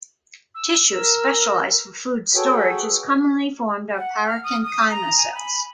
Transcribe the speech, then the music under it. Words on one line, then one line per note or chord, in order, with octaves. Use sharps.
Tissue specialised for food storage is commonly formed of parenchyma cells.
E6
A#4
F#4 G#4 A4 B4 C#5 G5
F#5
F6
D#6
D#6
A#5
G#5
B5